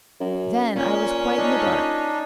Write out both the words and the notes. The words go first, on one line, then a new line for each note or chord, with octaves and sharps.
Then I was quite in the dark.
F#2
A#2 C#4
D4 D#4